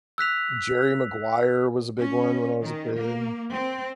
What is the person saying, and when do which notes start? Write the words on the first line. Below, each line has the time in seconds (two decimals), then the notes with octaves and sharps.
Jerry Maguire was a big one when I was a kid.
0.18 E6 F#6 B6 F7
1.97 C#4
2.62 D#3
2.96 A#3
3.53 C4